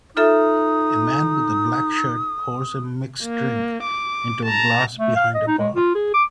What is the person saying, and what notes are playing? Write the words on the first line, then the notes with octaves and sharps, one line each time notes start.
A man with a black shirt pours a mixed drink into a glass behind a bar.
D#4 F4 A4 E5 D#6
A#3
D6
A5 A#5
A3
F5
D#5
D#4
G#3
F4
G#4
D6